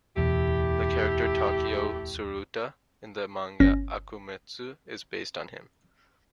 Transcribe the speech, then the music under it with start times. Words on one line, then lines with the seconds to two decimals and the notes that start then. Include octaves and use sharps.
The character "Takeo Tsuruta" in the manga "Akumetsu" is based on him.
0.17 D1 E2 B2 A3 E4 G4
3.60 G1 C#4 A#6